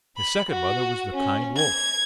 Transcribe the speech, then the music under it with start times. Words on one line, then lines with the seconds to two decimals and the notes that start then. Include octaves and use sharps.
His second mother was the kind wolf.
0.17 B5
0.50 F#4
1.13 C#4
1.56 G#6